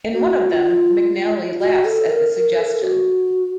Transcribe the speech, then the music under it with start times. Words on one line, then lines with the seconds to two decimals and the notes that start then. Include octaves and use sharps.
In one of them, McNally laughs at the suggestion.
0.13 F#4
0.50 F4
1.60 F#4
1.85 A4
2.09 A#4
2.33 A#4
2.58 A4
2.65 A#4
2.73 A4
2.82 F#4